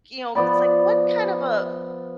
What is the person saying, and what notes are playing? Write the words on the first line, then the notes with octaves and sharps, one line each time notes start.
you know, it's like, what kind of a
F3 B3 D5 B5